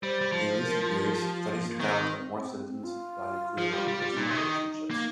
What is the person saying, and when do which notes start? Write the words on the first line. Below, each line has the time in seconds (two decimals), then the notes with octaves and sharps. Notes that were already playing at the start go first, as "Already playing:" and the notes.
In recent years, studies have found that more citizens value career over personal relationships.
0.03 G3 C5
0.21 G3
0.32 F3
0.62 A#4
1.21 G4
1.36 F4
1.50 F4
1.65 A#3
1.80 D#3 C4
2.20 C4
2.39 C4
2.69 C4
2.84 F4
3.58 F3
3.73 G3
3.88 G3
4.02 G3
4.12 C4
4.16 A#2 D#4
4.31 C3
4.36 D#3
4.91 A#3